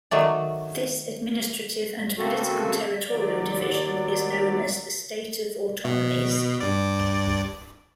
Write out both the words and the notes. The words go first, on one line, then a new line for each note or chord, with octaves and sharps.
This administrative and political territorial division is known as the "State of Autonomies".
D#3 F#3 A3 D5
C#3 A3 A#3 C4 F#4 A4
D#2 F#3 D5
B2
G2 D5